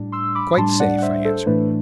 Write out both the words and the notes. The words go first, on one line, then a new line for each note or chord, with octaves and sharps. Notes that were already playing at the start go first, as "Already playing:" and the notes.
"Quite safe," I answered.
Already playing: A2 G3 D4
C6 E6
B5 D6
A2 G3 D4 A5 C6
D5 F#5
F#5
C5 E5
A4 C5
A2 E3 A3 D4 B4